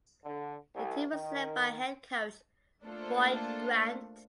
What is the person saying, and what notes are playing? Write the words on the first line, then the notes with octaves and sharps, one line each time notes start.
The team was led by head coach Boyd Grant.
D3
C2
D#3
A3 A#3 D4 F4 A4 C5